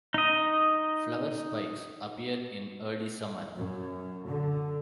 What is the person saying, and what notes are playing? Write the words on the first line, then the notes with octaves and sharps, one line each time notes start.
Flower spikes appear in early summer.
D#4 D#5
F#2
D3